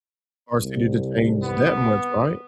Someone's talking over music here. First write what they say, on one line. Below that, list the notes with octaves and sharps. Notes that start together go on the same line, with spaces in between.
our city to change that much, right?
C2
B3